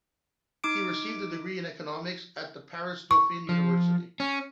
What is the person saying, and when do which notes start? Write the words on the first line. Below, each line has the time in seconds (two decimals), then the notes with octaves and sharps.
He received a degree in economics at the Paris Dauphine University.
0.64 D#4 D6 D7
3.11 C#6
3.49 F3
4.20 C#4